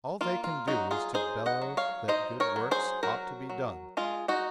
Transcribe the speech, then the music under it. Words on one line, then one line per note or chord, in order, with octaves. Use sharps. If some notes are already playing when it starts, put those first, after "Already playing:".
All they can do is to bellow that good works ought to be done.
A#3 F4
F4
F#3 D#4 F#4
F4 G#4
D#4 G#4 C5
D#5 F#5
F#3
C#5 F5
D#4 C5 D#5
A#4 C#5
F#3
G#4 C5
F#3 F#4 A#4
F#3
G#3 F4 G#4
D#4 F#4